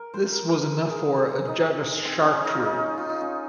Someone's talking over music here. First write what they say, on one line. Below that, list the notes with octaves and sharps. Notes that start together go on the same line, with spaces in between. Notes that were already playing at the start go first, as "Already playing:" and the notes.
This was enough for Ajatashatru.
Already playing: A#4
C5
A#4
A#4
G#4
G#4
D#4
C4
D#4
C#4
D#4
F4
D#4
F4
D#4
C#4